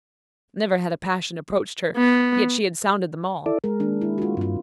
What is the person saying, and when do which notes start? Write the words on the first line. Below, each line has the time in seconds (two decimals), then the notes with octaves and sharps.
Never had a passion approached her, yet she had sounded them all.
1.96 B3
3.46 E4 A4 D5
3.64 G#3 A#4
3.80 D#3 A#3 D4
4.02 E4
4.18 F4 F#4
4.37 G2 C4 F4